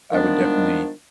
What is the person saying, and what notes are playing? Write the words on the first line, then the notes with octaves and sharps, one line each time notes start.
I would, definitely,
D#3 F3 G3 G#3 B3 D4